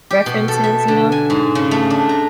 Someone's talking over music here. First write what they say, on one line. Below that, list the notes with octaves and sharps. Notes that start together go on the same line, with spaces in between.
references, you know?
G4
B2
A4
E5
D3
G#5
G#2
C#3
A3
D4
A#5